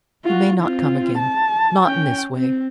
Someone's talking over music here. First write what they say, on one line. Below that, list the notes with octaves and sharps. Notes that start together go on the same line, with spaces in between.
You may not come again,--not in this way.
F4 F#4
C4 F4
A5
C#4 G5
C4